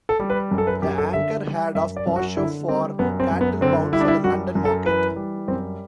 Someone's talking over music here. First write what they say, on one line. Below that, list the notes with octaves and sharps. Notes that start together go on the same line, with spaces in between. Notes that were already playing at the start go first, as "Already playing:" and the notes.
The Anchor had of pasture for cattle bound for the London market.
A4
G3
B4
F#2
A4
B4
F#2 G4
A4
D3 E5
G3
F#2 E5
D5
F#2
F#4
D3 E4
G3 C4
F#2 B3
C4
F#2
B3
D3 C4
G3 E4
D4
E4
F#2 F#4
F#2
A4
E3 B4
G3
F#2 C4